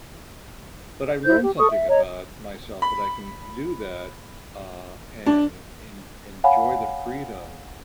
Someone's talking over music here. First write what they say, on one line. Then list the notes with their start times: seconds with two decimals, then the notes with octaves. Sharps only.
but I learned something about myself that I can do that, uh, and en enjoy the freedom
1.25 E4 C5 G6
1.42 G4
1.58 A4 C#6 D#6
1.70 E5
1.89 C#5 D#5 A#5
2.82 B5
5.26 D4
6.44 C#5 F5 F#5 G#5 B5